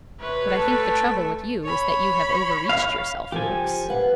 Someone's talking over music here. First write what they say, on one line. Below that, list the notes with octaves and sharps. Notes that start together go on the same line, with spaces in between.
But I think the trouble with you is that you have overreached yourself, Noakes.'
C3 B4 C#5
A3 A4
C#5 B5
F5
C#3 F3 G4 A4 G#5
B4 F5 F#5